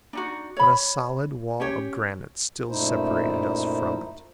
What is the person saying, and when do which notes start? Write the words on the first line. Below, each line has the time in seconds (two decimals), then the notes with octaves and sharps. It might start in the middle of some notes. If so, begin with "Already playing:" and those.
But a solid wall of granite still separated us from it!
0.13 D4 D#4 F#4
0.56 C#5 B5
1.60 C#4 G4 C#5
2.69 F#2 A#2 A3 D#4 E4 C5